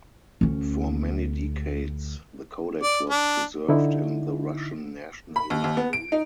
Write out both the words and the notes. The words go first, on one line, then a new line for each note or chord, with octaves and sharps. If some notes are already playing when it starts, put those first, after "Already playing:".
For many decades, the Codex was preserved in the Russian National Library.
D2 C#4
D5
D4
D3 D#4 E4
B5
D#2
D#2
B3
D7
D#4